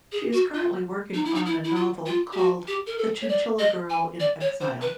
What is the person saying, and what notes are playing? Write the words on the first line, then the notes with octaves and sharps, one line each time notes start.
She is currently working on a novel called "The Chinchilla Girl in Exile".
G#4
F#4
F4
D#4
E4
D#4
E4
E4
F4
F4
G4
F#4
G4
A#4
A4
C#5
D5
D#5
G#5
D5
C#5
C5
B4